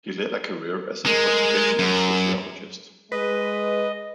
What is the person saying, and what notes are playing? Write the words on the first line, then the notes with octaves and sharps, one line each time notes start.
He led a career as an occupational sociologist.
G#3 A#4
F#2
G#3 B4 D#5